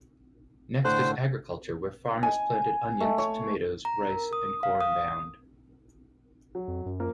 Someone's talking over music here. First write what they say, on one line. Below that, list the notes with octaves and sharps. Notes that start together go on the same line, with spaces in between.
Next is agriculture where farmers planted onions, tomatoes, rice and corn bound.
A2 D3 C5 F#6
G#5
A3
C#5
A#5
A#4
D#6
F5
D#6
F#3
F2
F#2
F3 A#3 A#4